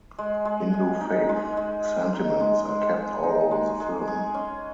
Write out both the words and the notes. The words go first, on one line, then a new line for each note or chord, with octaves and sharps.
Hindu faith sentiments are kept all over the film.
G#3
G#3
G#4
D#4
G#3
G#3
G#4
D#4
G#3
G#3
G#4
D#4
G#3
G#3
G#4
C#4